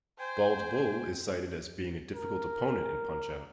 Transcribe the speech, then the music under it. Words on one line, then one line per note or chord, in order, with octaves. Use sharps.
Bald Bull is cited as being a difficult opponent in "Punch-Out!!".
C5 G5 G#5
A#4